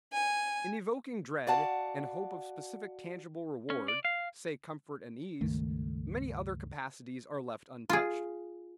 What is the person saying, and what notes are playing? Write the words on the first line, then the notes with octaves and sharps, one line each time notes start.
In evoking dread and hope of specific tangible reward--say comfort and ease--many other capacities are left untouched.
G#5
F#4 D5 F5 F#5 A5
C#4
D5
F5
C#2 G2 D#3 A3
F4 G#4